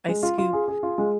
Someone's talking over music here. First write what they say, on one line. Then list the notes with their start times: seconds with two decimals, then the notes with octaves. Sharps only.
I scoop
0.08 G#3
0.23 F4
0.38 F4
0.53 G#4
0.68 G#4
0.83 F4
0.98 G#3